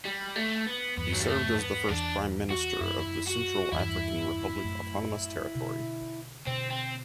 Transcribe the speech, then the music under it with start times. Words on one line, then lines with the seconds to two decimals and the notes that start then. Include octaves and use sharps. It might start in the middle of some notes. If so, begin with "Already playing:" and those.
He served as the first Prime Minister of the Central African Republic autonomous territory.
0.05 G3
0.36 A3
0.67 B3
0.97 E2 G2 B3
1.12 F#3
1.20 G3
1.28 A3
1.58 B3
1.88 E2 D4
2.50 F#4
2.80 F#2 E4
3.27 F#4
3.72 E2 G2 E4
4.63 F#2 A2
5.55 B2 D3
6.47 B2 D3 C4
6.70 C4